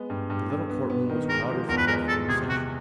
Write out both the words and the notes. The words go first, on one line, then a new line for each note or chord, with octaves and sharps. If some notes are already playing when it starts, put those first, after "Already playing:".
The little Court Room was crowded for the afternoon session.
Already playing: G#3 B3
G2
G2
G2
B3
B3
D#3
G#3 A#4
F3
E2 A#4
B4
G#3 A#4
G#3 A4
C3 G#4
C3 F#4